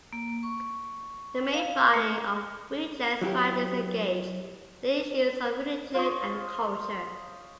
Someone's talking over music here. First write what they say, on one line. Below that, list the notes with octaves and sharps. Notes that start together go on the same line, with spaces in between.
The main body of Weigel's writings engage the issues of religion and culture.
A#3
C#6
F5
A3
F#3 E4 G4
F4 C5 C#5 D#5